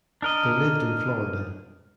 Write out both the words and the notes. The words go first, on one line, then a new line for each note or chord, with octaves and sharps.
They lived in Florida.
D4 A#4 D#5